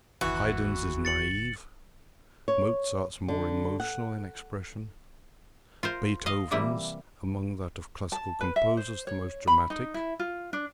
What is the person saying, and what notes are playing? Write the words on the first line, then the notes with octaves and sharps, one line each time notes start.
Haydn's is naive; Mozart's more emotional in expression; Beethoven's, among that of classical composers, the most dramatic.
F#1 D#2 E3 F#4
A6 C#7 F#7
C#5
D3
F#5
F4 A#4 C5
D#5 F5
C3 E3 G3 A#3 E4
A5
B4
E5
C5
C#5
B5
D#4
E4
F4
D4